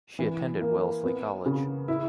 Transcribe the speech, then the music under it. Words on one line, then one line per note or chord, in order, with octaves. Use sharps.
She attended Wellesley College.
E3
A#3
B3
C#3
E4